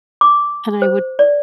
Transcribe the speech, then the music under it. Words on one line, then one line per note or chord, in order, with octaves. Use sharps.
and I would
D6
C5
D5